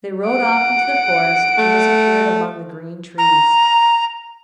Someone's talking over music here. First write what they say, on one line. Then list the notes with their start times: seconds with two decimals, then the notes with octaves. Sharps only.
They rode off into the forest, and disappeared among the green trees.
0.27 F#5 D7
1.58 A3
3.18 A#5